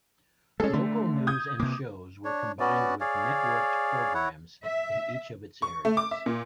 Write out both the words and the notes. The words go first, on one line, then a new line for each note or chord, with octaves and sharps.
Local news and shows were combined with networked programmes in each of its areas.
G#3 A3 C#4 G#4 A4
D3 A3
D#6 G6 G#6
C3 A#3 D6
D4 C#5
B3 C#4 F#4 D5
G#4 C#5 D5 F5
E4 C#5 F#5
E5
C#6
A3
D6
E5
A#2